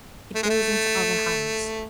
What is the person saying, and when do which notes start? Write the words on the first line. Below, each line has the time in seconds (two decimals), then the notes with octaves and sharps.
"It goes into other hands."
0.35 A3
0.43 G#3
0.50 A3